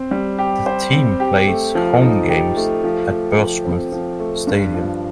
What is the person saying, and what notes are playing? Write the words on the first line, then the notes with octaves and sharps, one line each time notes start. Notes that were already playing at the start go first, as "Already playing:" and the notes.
The team plays home games at Birchmount Stadium.
Already playing: C4 C5
G3
G4
C5
C4
G4
A3
F3
D#4
G4
A3
F3
A3
F3
C4
F3
A3
G2
F3